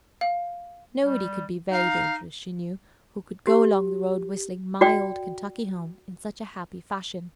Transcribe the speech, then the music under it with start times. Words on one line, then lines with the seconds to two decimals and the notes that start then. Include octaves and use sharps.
Nobody could be very dangerous, she knew, who could go along the road whistling "My Old Kentucky Home" in such a happy fashion.
0.21 F5
1.03 G3
1.71 D#4 F5
3.47 G4
4.81 F#4 D5 G5